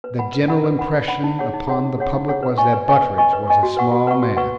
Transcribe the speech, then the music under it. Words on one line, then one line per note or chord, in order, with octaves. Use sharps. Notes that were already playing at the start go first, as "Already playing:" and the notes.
The general impression upon the public was that Butteridge, was a small man.
B4
F#5 B5
B4
F#5 B5
B4
F#5 B5
B4
F#5 B5
D#4
G#4 C#5 F#5
D#4
G#4 C#5 F#5
D#4
G#4 C#5 F#5
D#4
G#4 C#5 F#5
B4
D#5 G#5 C#6
B4
D#5 G#5 C#6
B4
D#5 G#5 C#6
B4
D#5 G#5 C#6
F#4
B4 F#5 C#6
F#4
B4 F#5 C#6
F#4
B4 F#5 C#6